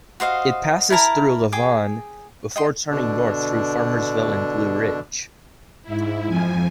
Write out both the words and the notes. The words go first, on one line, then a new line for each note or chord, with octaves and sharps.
It passes through Lavon before turning north through Farmersville and Blue Ridge.
F#4 C5 D#5 F5
E4 A#4 A5 A#5
G#4 G5 D6
D#5 G5 C6
B2 D3 D4
G#2 E4
F2 F3 G#5